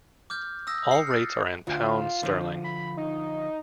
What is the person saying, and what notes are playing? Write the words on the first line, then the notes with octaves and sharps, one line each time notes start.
All rates are in pounds sterling.
D6 F6 G6
D#6 E6 A#6
C7 C#7
F6 A6
D2 F4
D3 F3
B5
D#4